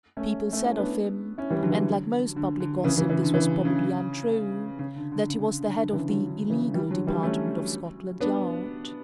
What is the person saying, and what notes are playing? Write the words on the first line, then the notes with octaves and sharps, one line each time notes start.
People said of him--and like most public gossip, this was probably untrue--that he was the head of the "illegal" department of Scotland Yard.
A3 C#4
A3 C#4
C#4 E4
B3 D4
C#4 E4
E3 G3
D3 F#3
E3
D3
D3
D3
C#3 E3
C#3 E3
C#3 E3
D3
C#3 E3
D3
C#3
C#3
D3
D3
C#3
D3
D3
D3
C#3 E3
D3 F#3
D3
C#3 E3
E3 G3
D3 F#3
E3 G3
A3 C#4
B3 D4